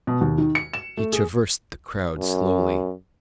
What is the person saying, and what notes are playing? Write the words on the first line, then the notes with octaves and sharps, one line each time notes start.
He traversed the crowd slowly.
B2
D#2
D#3
C#7
E7
A3
G#4
F#2